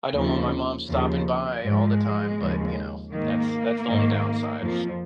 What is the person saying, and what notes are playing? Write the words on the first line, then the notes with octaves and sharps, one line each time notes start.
I don't want my mom stopping by all the time, but, you know, that's that's the only downside.
D#2 C#3 F3
D#2 C#3 F3
G#2 F3 G#3
D#2 C#3 F3
G#2 D#3 A#3
G#2 D#3
F2 F3